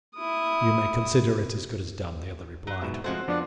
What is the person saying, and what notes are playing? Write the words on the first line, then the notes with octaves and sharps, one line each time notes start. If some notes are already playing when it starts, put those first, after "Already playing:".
"You may consider it as good as done," the other replied.
E4 D#6
F#3
G#2 B2 E5
F3 G#3 A3 C4 F#4 C5
F2 F3 B3 D4